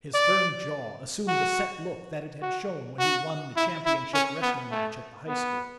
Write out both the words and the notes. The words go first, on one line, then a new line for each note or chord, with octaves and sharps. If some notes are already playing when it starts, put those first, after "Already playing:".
His firm jaw assumed the set look that it had shown when he won the championship wrestling match at the high school.
D5
F#4
F#4
F#4
E4
E4
C#4
B3
A3
B3